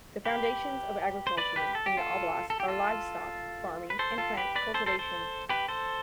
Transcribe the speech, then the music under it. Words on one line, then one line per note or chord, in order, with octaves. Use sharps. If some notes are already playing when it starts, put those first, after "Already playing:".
The foundations of agriculture in the oblast are livestock farming and plant cultivation.
G4 B4
C5
B4 D5
G4 B4
A4
G4
F4 A4
A4
G4
F4 A4
B4
A4 C5
F4 A4
G4 B4
B4 D5
A4 C5
A4 C5
A4 C5
G4 B4
A4 C5